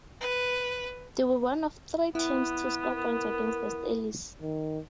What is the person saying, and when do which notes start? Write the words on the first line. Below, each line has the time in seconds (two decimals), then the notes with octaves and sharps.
They were one of three teams to score points against the Staleys.
0.21 B4
2.15 B3 E4
2.90 A#4
4.42 D#3